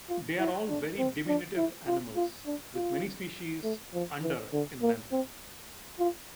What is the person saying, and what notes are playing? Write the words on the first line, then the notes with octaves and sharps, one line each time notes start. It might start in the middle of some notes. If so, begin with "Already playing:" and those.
They are all very diminutive animals, with many species under in length.
F4
E4
D4
C4
D4
E4
F4
F4
D4
F4
A3
F3
E3
D3
A#3
C4
F4